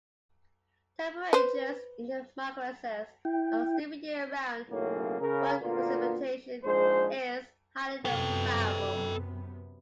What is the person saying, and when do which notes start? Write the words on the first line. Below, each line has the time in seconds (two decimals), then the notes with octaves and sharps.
Temperatures in the Marquesas are stable year around, but precipitation is highly variable.
1.33 B4 C5
3.25 E4 G5
4.69 B1 F#2 A2 C#3 F#3 A#3
5.21 C#3 A#4
5.60 D2 A#2 D3 A#3 B3 F4
6.64 A#1 G#2 G#3 C5
8.05 F#2 C3 B3 A4 G5